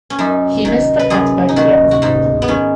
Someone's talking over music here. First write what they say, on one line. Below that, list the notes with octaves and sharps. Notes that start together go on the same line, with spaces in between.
He missed the cut both years.
C#4
F#2 D#4
D#3
B4
F#2 G#4
D#4
D#3 F#4
F#4
G#2 D#4
B3
D#3 C#4